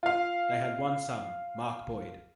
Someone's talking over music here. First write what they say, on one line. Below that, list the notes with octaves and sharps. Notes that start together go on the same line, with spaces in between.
They had one son, Mark Boyd.
F4 F5